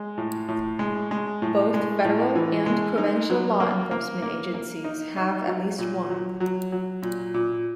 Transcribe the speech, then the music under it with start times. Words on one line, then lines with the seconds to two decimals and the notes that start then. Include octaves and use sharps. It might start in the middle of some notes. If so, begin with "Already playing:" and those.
Both federal and provincial law enforcement agencies have at least one.
Already playing: G#3
0.18 A2
0.48 A2
0.79 G#3
1.11 G#3
1.42 A2
1.74 G#3
2.05 A2
2.35 E3
2.66 G#3
2.98 D#4
3.30 F#3
3.60 A#3
3.91 A#3
4.22 A#3
4.54 A#3
4.84 D#4
5.16 D#4
5.47 F#3
5.79 A#2
6.10 F#3
6.40 F#3
6.72 F#3
7.03 A#2
7.34 A#2